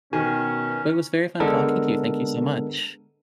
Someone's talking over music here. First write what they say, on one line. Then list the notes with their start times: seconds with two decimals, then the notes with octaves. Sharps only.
but it was very fun talking to you, thank you so much.
0.13 B2 D#3 C#4 G#5
1.40 D3 G#3 B3 D4 A4 A#4